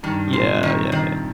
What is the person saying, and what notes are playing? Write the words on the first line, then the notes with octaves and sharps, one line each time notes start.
Yeah, yeah, yeah.
G2 D#3
C3
A#2 C5
C3 D#3
D#3